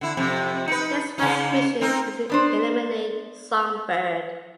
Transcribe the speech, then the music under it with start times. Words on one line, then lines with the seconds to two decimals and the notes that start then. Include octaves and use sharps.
His first mission is to eliminate Songbird.
0.01 D3 E4
0.17 F2 C3
0.68 D#4 B4
1.18 C#3 C#4 D#4
1.81 C4 D#4 A#4
2.30 B3 D4 C5